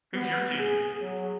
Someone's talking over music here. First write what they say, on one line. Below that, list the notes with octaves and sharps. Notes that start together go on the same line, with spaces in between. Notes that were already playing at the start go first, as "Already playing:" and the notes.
Who's your team?
B3
G#4
F#3